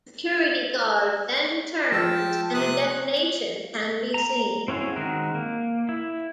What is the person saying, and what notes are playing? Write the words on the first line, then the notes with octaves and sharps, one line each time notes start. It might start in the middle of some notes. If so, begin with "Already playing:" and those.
The security guard then turns and a detonation can be seen.
F3 G5 A5 E6
C3 D#6 F#6
A#5
C4 C#4 E4 F#4 G#4
D#3 G#3 C4 F#4 A#4
A#3
E4